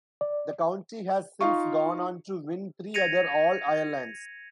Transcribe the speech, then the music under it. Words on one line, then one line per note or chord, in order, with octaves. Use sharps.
The county has since gone on to win three other All-Irelands.
D5
D#4 F4 F5 C#6
G#6 A#6 C#7 D#7 F7